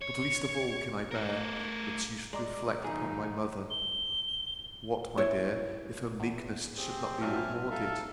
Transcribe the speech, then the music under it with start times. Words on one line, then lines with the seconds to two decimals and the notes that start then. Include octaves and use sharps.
But least of all can I bear that you should reflect upon my mother. What, my dear, if her meekness should not be rewarded?
0.02 C#5
1.11 A3 A#4
2.33 G#3 D5 A#5 D6
2.84 B1 D#3 D#4 G#4
3.70 G7
5.18 E4 C#5
6.19 E2
6.77 C4 G4 G#4
7.22 G2 A#2 F#3 E5 G#5 A5 F6
7.71 D#4 A4 E5 F5